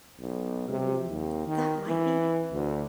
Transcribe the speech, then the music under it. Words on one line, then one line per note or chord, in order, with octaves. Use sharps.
Mm, that might be
B1
C3
D#2
D#3
E3
D2